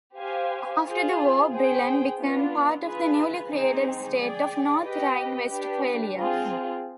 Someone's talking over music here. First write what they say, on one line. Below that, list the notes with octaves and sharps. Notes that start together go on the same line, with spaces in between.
After the war Brilon became part of the newly created state of North Rhine-Westphalia.
G4 C5 F5 G#5
F4 G#4 C5
G#4 C5 G5
B3 D4 F4
F4 G#4 B4
C4 D#4 G#4 C5
G#4 D5 G5
G4 B4 D#5 G5
D4 G4 B4
C4 F4 G#4